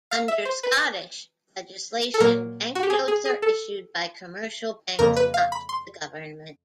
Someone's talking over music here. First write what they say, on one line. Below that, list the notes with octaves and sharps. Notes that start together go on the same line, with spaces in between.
Under Scottish legislation, banknotes are issued by commercial banks not the government.
F5
E5
C5
B4
A4
A#2 F#3 A#3 A#4
F#4
G4
G#4
G#4
G#4
A4
F2 C#3 F3 A#3 A#4
B4
F5
B5
C6